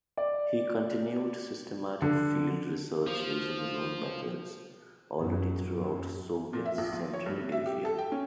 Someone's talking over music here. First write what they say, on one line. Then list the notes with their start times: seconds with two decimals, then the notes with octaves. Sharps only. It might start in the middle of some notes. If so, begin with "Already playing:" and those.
He continued systematic field research using his own methods already throughout Soviet Central Asia.
0.17 D5
2.02 D3
3.07 F3
5.19 F#2
5.76 F#2
6.53 A#2
6.65 E5
6.78 A#1
6.93 F3
7.14 C#5
7.26 G2
7.39 C3
7.52 E5
7.66 G4
7.85 A4
7.98 G5
8.12 C#4